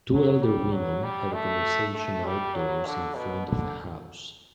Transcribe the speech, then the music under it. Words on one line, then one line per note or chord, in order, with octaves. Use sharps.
Two elder women have a conversation outdoors in front of a house.
F#3
G3
F#3
G3
A3
A3
G3
F#3
D3
B2
D3